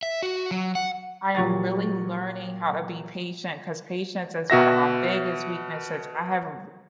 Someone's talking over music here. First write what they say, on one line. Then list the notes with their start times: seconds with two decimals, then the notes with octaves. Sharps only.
I am really learning how to be patient, 'cause patience is one of my biggest weaknesses, I have a r
0.03 E5
0.23 F#4
0.51 F#3
0.75 F#5
1.35 A#2 F#3 G4 C#6 A6
4.50 B2 F#4 E5 A#6